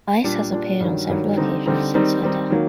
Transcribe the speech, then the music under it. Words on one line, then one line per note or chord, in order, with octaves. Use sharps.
Ice has appeared on several occasions since her death.
A#2 G3 D4
A#2 G3 D4
G2 D#3 F#3
G2 D#3 F#3
D3 G3 C4 D#4
D3 G3 C4 D#4
D#3 G3 C4 D#4
D#3 G3 C4 D#4
D#3 F#3 A#3